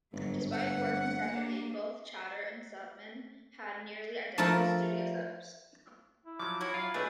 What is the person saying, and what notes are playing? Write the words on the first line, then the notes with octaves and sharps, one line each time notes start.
Despite working separately, both Chater and Seltmann had nearly identical studio set-ups.
G1 G#2 F#3
A3 F#5
A#3 D4
F3 A3 E4 F4 A4 A#4
E4
F3 F#3 D6
E4 F#4 C#5
F#3 F4 F5
B2 A3 D4 G#4 B4